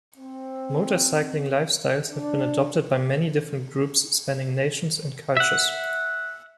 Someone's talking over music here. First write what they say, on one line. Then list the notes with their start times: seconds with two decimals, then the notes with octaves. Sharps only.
Motorcycling lifestyles have been adopted by many different groups spanning nations and cultures.
0.18 C4
2.09 D4
5.37 E5 F#5